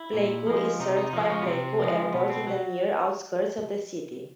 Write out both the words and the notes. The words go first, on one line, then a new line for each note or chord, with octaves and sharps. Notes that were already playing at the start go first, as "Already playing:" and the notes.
Pleiku is served by Pleiku Airport in the near outskirts of the city.
Already playing: E4
A#2
F3 G#3
C3 D#4
D#4
F3 G#3 D#4
C#4
B3
C3 C4
F3 G#3
B2 B3
C4
F#3